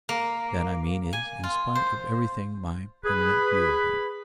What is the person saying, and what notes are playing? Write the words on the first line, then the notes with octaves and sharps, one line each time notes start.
That, I mean, is, in spite of everything, my permanent view of him.
A#3
G#5
F4
C5
G#4 B4